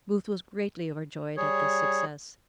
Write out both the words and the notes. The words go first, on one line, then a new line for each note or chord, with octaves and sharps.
Booth was greatly overjoyed at this success.
G3 G#4 C#5